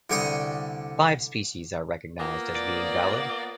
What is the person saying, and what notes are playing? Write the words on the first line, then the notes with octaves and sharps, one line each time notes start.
Five species are recognized as being valid.
C2 D3 G3 G#5 C#6 D#6
A#3 B3 F4
D5